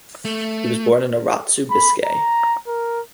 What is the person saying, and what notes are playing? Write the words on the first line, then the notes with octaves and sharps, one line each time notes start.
He was born in Arratzu, Biscay.
A3
B5
A#5
A#4